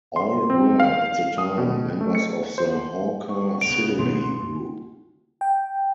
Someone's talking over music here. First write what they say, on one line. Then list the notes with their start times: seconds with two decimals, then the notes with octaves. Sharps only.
All were, at the time, members of the Hawker Siddeley Group.
0.16 C6
0.50 C4
0.80 F5
1.38 D#6
1.58 B2
2.01 A3
2.15 C#7
2.58 C5
3.29 C#6
3.61 C#2 C#3 B3 D7 F7
3.99 G2 B2 A3 C6
5.41 G5